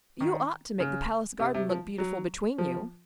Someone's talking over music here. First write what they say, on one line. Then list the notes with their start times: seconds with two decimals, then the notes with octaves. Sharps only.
"You ought to make the Palace garden look beautiful between you."
0.21 D#3
0.80 C#3
1.39 C3
1.54 C3
1.69 F3
1.98 F#3
2.58 F3